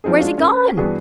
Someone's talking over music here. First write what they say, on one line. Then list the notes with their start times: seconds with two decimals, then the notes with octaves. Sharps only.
Where's he gone?
0.04 F3 C4 D#4 G#4
0.19 G#3 D4 F4 F#4
0.38 C#4 A#4
0.77 G2 E3 B3 D4 F#4 G#4